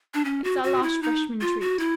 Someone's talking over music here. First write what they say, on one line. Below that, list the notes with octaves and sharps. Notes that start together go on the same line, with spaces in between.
It's our last freshman treat.
D4
C#4
F#4
F#4
E4
D#4
F4
F#4
E4